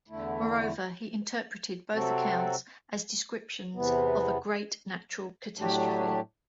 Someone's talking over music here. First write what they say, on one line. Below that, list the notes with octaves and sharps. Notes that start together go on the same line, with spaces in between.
Moreover, he interpreted both accounts as descriptions of a great natural catastrophe.
E2 D3 A3 E4
C3 F#3 C4 F#4 A4
E2 C3 E3 B3
A2 F#3 A3 D4 G4